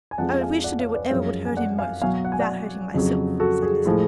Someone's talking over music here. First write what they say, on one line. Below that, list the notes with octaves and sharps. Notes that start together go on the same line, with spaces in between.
"I would wish to do whatever would hurt him most,--without hurting myself," said Lizzie.
G#5
F2 F3 G#3 F#5 A5
F5 G#5
D5 F#5
C#5 F5
B4 D5
F#2 F3 G#3 C#5 F5
G#5
D5 F#5
F5 G#5
B2 F#3 F5 G#5
F#5
G#5
D5 F#5
F2 C#3 F#3
F#4 A4
G#4
A2 F3 G#3